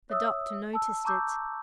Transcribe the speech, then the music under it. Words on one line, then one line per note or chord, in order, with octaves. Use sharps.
The Doctor noticed it.
C#5 E5 D#6 E6
A5 E6
A5 A#5 C#6 D6 E6 G6